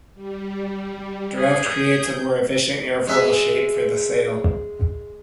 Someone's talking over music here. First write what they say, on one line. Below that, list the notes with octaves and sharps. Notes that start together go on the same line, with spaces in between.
Draft creates a more efficient airfoil shape for the sail.
G3
G#4 G6
G#3 E5